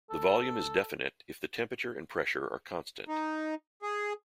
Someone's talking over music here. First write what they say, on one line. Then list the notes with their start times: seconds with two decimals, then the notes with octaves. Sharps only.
The volume is definite if the temperature and pressure are constant.
0.10 A4
3.08 D#4
3.82 G#4